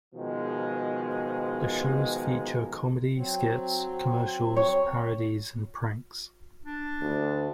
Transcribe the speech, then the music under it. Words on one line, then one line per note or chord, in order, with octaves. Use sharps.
The shows feature comedy skits, commercials, parodies, and pranks.
B2 D#3 F3 G#3
F#3 C4
C#5
D4
D2